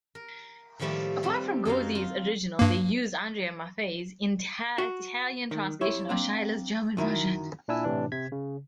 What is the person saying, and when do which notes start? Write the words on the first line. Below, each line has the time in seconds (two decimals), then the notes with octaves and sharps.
Apart from Gozzi's original they used Andrea Maffei's Italian translation of Schiller's German version.
0.15 A#4
0.79 A2 D#3 F3 G3 A3 A#3
1.23 G3 C4
1.65 F#2 F#3 D#4 F5
1.95 F4
2.59 G2 A#3
4.78 F#4
5.51 D#3
5.81 F2 E4 G4 C#5
6.09 A#3 C4 D4
6.97 F#2 D#3 E4
7.68 A#2 D4 E4 G#5 E6
7.84 A2 C3 E3 D4
8.12 C3 G#6 B6
8.32 C#3